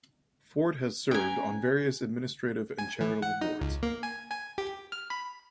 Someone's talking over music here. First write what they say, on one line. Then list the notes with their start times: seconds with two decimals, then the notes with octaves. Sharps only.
Forde has served on various administrative and charitable boards.
1.11 C#4 B4 G5 G#5 A#5
2.79 G#5
3.01 E3
3.22 F#5
3.41 D#4
3.61 C#2
3.83 A#3
4.03 G#5
4.31 G#5
4.58 G4
4.92 F6
5.10 B5